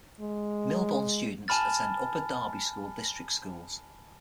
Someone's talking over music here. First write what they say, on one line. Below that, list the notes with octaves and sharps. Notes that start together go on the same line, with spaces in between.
Millbourne students attend Upper Darby School District schools.
G#3
G#5 A5 B5 F6 A6